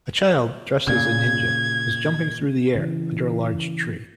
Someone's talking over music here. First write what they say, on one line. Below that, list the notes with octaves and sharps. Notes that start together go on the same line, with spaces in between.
A child dressed as a ninja is jumping through the air under a large tree.
A#2 C#3 G#6
C#3 E3